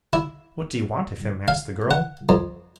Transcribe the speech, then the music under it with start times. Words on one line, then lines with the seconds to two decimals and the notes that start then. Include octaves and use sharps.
"What do you want of him?" asked the girl.
0.13 E4
1.48 F5
1.91 F#5
2.29 F2